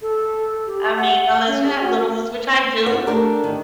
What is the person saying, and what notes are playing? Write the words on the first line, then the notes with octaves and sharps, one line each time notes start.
I mean, unless you have little ones, which I do,
A4
G4
F#5
F#5
C#4
G#4
F#4
F#5
A3 D4 G4 A4 A#4
D#3